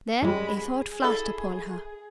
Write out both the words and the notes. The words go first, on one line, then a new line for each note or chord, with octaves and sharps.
Then a thought flashed upon her.
F#2 G3 G#3 B5
G#4
E4 A4